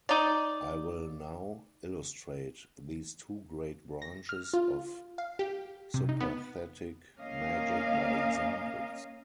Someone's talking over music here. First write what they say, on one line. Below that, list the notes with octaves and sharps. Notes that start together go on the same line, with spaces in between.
I will now illustrate these two great branches of sympathetic magic by examples.
D#4 D5
A#6
F6
F4
F5
G4
C3
D#4
B3
A#3 C#4 D#5 F5